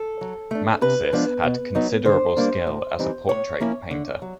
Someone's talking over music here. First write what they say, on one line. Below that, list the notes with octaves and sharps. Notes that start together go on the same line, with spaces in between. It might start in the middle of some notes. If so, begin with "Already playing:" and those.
Matsys had considerable skill as a portrait painter.
Already playing: A4
F#3
A3 D4
C3 B4
F3 G#3 B3 D4
B2
F#3 B3 D#4
D3 C5
G3 A#3 D4
A2
E3 G3 C4 D#4
A2 C#5
F3 A#3 C#4 E4
D3
F#3